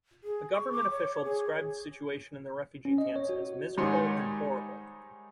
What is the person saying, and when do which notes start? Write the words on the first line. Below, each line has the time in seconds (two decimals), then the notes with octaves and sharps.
A government official described the situation in the refugee camps as "miserable and horrible".
0.24 G#4
0.53 C#6
0.72 D6
0.91 C#5
1.24 G#4
2.85 C#4
2.98 D#5
3.16 C#5
3.29 F#4
3.78 G#2 D#3 G3 C#5 C6